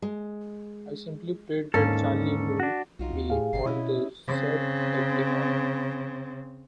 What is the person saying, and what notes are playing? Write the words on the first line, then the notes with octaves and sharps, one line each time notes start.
I simply prayed that Charlie would be on the set every morning.
G#3
D#2 G#2 D3 C#4 A4 F5
D4 F#4
B1 D#4 F4 F#4
D#2
A2 G4 G#4 F5
G#1 A#2 C#3 C7
B2 C#4 E4 D#5
C#3 C4